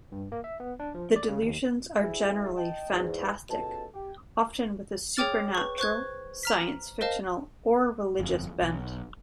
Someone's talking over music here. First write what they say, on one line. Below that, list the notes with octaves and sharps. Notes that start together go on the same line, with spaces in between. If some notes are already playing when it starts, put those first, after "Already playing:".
The delusions are generally fantastic, often with a supernatural, science-fictional, or religious bent.
G2
A#3
E5
B3
D4
F3
D5
C#3
D#2
D2 E4 G#4
D#5 G5 A5
E2 G#2
C#2 B2 A4 A5
G4
G#4 C#5 G5 D6 F6 A6
B4 C#6
C5 C#6 F#6 G#6
A#5 F6 B6
A#4 C5 D#5 F5 A5
G1 F2
B1